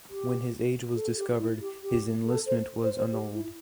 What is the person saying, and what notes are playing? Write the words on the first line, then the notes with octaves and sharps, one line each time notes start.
When his age was discovered his enlistment was annulled.
G4
A4
G4
E4
G4
G4
A4
C5
C5
C5
G4
E4